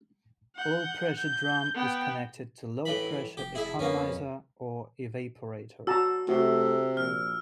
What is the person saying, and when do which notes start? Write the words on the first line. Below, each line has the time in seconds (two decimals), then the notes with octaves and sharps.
Low pressure drum is connected to low pressure economizer or evaporator.
0.56 F#5 G6
1.16 G6
1.74 B3 G5
2.85 A2 E3 B5
3.37 F1 G4
3.55 E4 G#4 E5
3.79 F2 A#3 B3 C#4
5.87 F#4 A5 A#5 E6
6.28 C3 A3 F#4
6.97 A#1 F6